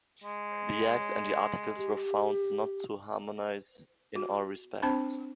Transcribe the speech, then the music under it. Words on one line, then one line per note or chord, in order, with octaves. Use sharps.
The act and the articles were found not to harmonize in all respects.
G#3
G4
F#4
C4 D4 C5 B5